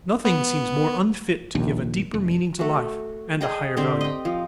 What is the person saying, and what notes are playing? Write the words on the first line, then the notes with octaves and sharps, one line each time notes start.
Nothing seems more unfit to give a deeper meaning to life and a higher value.
B3
A#1 D#2
F1
A3 F#4
G#4 D#5 G5
D3 C4 G4 C5
D#5 G5
F3